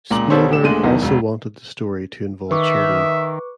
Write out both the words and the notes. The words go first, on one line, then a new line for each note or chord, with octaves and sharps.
Spielberg also wanted the story to involve children.
C#2 A#2 A#5 D6 F#7
C2 B2 G3 A4 C5 C#5
A1 G4 E7
D2 A#2 G#3 A3 D4 D#7
B1 E2 B2 D#3
E1 C#2
D#3 B4 E5 C#6 D6